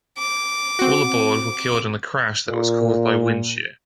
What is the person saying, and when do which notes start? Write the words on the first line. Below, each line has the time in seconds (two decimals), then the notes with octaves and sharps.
All aboard were killed in a crash that was caused by wind shear.
0.18 D6
0.79 C4 F#4
2.48 A#2